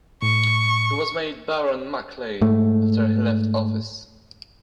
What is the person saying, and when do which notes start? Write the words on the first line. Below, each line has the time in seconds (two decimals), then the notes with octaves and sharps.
He was made Baron Maclay after he left office.
0.22 A2 C#6
2.41 G#2 A3